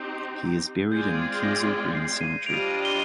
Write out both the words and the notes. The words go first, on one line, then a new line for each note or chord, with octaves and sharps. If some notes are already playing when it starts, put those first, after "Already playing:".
He is buried in Kensal Green Cemetery.
Already playing: C4 D#4 G4 G6
G#3 C4 F4 G#4 D5 G6
G#6
A#6
A#6
C7
C7 D#7
G3 D4 F4 C5 D#5 D7 F7
D#7 G7